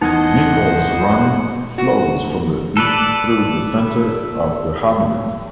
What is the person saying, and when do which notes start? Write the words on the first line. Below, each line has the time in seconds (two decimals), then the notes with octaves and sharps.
Nichols Run flows from the east through the center of the hamlet.
0.01 E2 D#4 C5 D#5 F#5 D#6 G#6
1.78 F#4
2.77 A4 B4 D5